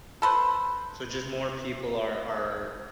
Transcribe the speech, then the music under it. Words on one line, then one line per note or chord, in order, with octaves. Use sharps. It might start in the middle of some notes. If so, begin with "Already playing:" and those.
So just more people are are
A4 B4 C5